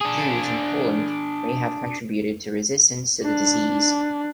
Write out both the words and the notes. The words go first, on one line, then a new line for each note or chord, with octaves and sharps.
Jews in Poland may have contributed to resistance to the disease.
D4 G#4
D4